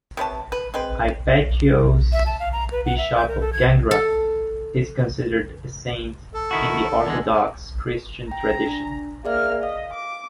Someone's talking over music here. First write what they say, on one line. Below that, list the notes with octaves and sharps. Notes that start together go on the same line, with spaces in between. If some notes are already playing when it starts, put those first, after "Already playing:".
Hypatios, bishop of Gangra, is considered a saint in the Orthodox Christian tradition.
C3 B4 C#5 A5
B4
G#3 C4 B4
E5
A5
F5
A#5
B4
F#5
E5
G6
A#4
A4
G#6
A4
A4
D#3 E4 F#4
E2 D3 G#3
G5 A#5
D4
A#3 G#4 D5 E5 F6
D#5 F5
D6